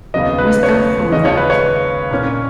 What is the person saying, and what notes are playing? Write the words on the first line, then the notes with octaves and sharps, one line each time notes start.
We start from that.
D#2 C#3 F#3 B3 D#5
B4
C#5
D#2 C#3 G#3 C#4 D#5
C#5
B4
C#5
A#2 A#3 C#4